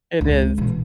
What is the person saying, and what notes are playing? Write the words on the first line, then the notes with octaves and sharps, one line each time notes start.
It is.
C#2
B2 E3